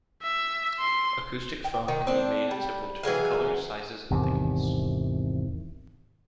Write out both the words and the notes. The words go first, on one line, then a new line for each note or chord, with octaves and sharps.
Acoustic foam can be made in several different colors, sizes and thickness.
E5
C6
G5
D#3
C4 D4
G3
E3 F#3 G#4 F5
G#1 E2 C3 D#3